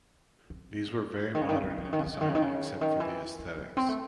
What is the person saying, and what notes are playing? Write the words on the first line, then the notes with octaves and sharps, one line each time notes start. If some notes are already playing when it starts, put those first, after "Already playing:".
These were very modern in design except for the aesthetics.
C4
C#3
D#3
C#3
D#3
C#3
D#3
C#3
D#3
C#3
D#3
C#3
D#3
C#3
D#3
C#3
D#3
C#3
D#3
E3
A3
A3
C4
A3